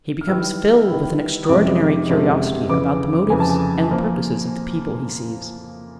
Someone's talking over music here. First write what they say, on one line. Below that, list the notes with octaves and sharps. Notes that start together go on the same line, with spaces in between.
He becomes filled with an extraordinary curiosity about the motives and purposes of the people he sees.
F6
D#3 G3 B3 E4 E6
D#3 G3 B3 E4
D#6
F2 C3 F3 G#3 C#4 D6
F2 C3 F3 G#3 C#4
F2 C#3 E3 D6
F2 C#3 E3 G#5
A5
G#5
F3 A#3